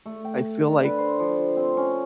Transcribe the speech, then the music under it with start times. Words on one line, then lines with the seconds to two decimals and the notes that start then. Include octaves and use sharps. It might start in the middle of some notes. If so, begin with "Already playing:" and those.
I feel like
0.05 A3
0.25 G5
0.66 D3
0.84 B4
0.98 C5
1.19 F3
1.56 C4
1.77 C#4